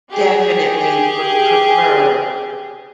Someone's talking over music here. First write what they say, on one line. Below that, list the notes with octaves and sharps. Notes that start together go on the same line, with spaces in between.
Definitely re prefer
G4 G#4